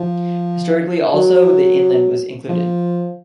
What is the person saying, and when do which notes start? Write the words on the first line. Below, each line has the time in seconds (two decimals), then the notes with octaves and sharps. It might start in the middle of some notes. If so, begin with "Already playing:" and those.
Historically also the inland was included.
Already playing: F3
1.14 F#3
2.49 F3